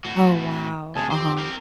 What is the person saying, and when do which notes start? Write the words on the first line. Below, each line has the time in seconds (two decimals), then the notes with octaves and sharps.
Oh, wow. Uh-huh.
0.05 A2 F#4
0.96 D2 C3 G#4 G#5 A5
1.12 F2 C4 G4 C5 D6
1.38 C4 A#4